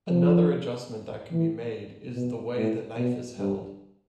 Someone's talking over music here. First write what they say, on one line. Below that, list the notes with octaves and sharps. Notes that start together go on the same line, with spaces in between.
Another adjustment that can be made is the way the knife is held.
F3
E3
B2
A2
B2
G2